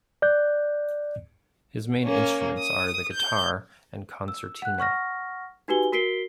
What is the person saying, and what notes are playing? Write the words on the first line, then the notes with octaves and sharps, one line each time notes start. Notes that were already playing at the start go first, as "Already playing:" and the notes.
His main instruments are the guitar and concertina.
D5 F#6 G6
A#3 C#4
D#6
G6
E6
F#5 F#6
F#5 C#6 F6 A#6
D#4 F#4 G4 B4 G#5 G7
F#4 A#4 B6 C7 D7 G7